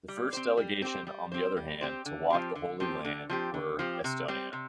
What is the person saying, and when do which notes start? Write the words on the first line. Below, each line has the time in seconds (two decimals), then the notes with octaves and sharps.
The first delegation on the other hand to walk the Holy Land were Estonia.
0.08 G3
0.33 C4 G4 C5
0.57 G3
0.82 C4 G4 C5
1.07 G3
1.32 C4 G4 C5
1.57 G3
1.81 C4 G4 C5
2.06 D3
2.30 F3 C4 G4
2.55 D3
2.80 F3 C4 G4
3.05 D3
3.30 F3 C4 G4
3.54 D3
3.79 F3 C4 G4
4.04 C3
4.28 G3 C4
4.53 C3